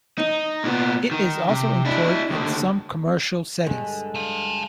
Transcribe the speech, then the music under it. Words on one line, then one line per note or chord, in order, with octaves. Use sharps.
It is also employed in some commercial settings.
D#4
A#2 B3
D#3
C3
D4 E4
D#2 D3
G2 D3 G3 G#3
F5 A5